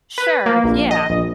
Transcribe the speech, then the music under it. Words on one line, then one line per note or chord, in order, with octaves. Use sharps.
Sure, yeah.
B4
A#3
A#1
D#5
A#1